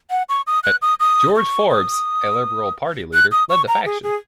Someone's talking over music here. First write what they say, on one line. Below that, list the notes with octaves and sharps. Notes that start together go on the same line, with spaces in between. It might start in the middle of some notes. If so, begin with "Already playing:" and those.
George Forbes, a Liberal Party leader, led the faction.
F#5
C#6
D#6
F#6
D#6
D#6
C#6
D#6
F#6
D#6
C#6
A#5
G#4
G#4